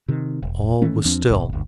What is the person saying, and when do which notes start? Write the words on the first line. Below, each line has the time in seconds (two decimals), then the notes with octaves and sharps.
All was still.
0.08 C3 D#3
0.43 E1
0.82 D#3 E3 A3 C#4
1.05 E2 F3 C4 D4
1.29 D1 G#1 D#2 B2
1.53 G1 D2